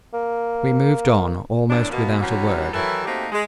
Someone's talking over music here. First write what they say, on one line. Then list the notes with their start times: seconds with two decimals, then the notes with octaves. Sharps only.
We moved on almost without a word.
0.14 A#3
1.69 E2 A2 D4
1.91 B2 A#3
2.20 C3 E3 G3 C#4 F#4
2.73 D#3 E3 F#3 E4 A4 A#4
3.05 A3 A#3 C4 D#4 F#4 G4
3.32 G#3